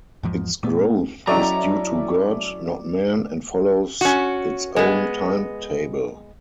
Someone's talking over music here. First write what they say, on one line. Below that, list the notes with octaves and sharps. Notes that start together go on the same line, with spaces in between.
Its growth is due to God, not man, and follows its own timetable.
E2 G#2 F3
A#2 A3 B3
F#3 C#4 E4 A4 D5 D#5 G5 A#5
C#4 F#4
G#3 B3